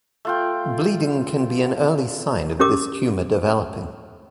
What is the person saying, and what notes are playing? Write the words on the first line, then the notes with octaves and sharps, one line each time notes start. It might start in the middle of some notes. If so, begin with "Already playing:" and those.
Bleeding can be an early sign of this tumor developing.
A3 F4 G5
C#4 G4 A#4 D6